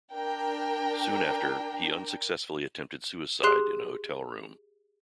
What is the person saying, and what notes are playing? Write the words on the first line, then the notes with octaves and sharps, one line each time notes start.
Soon after, he unsuccessfully attempted suicide in a hotel room.
D4 A#4 G5
G4 G#4 C6 F#6 C7